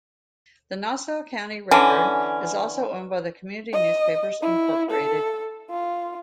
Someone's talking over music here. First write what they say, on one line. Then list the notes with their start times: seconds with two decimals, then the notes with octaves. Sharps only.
The Nassau County Record is also owned by Community Newspapers Incorporated.
1.71 D3 E3 C#4
3.73 D#5
4.42 E4
4.91 A4
5.70 F4